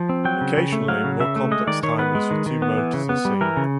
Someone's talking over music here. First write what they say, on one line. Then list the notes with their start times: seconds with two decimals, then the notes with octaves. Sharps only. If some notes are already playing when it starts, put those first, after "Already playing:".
Occasionally more complex timers with two motors are seen.
Already playing: F3
0.09 C4
0.25 F#3 G5
0.41 C#3
0.57 C#3
0.73 A3
0.88 F#3 F5
1.04 C#3
1.20 C#3 E5
1.36 A3
1.51 G#3 D#5
1.67 D#3 D5
1.83 D#3 C#5
1.99 B3 B4
2.15 G#3
2.31 D#3
2.46 D#3
2.62 B3
2.78 E3
2.93 C#3
3.09 B3
3.25 G3
3.41 E3 A#4
3.57 C#3